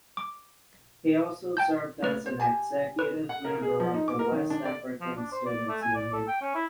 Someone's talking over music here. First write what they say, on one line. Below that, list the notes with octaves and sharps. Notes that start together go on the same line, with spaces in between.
He also served as an executive member of the West African Students Union.
D6
G5 A5 G6
A3 B4 D5
C5
G4 G#5 A5
B4
F#5
A#4
G#4
F3
D#4
D6
A#4
D#3
D4
D5
F3
D4
C5
D5
A3
G#5
D5
A4
G5
C#4
E4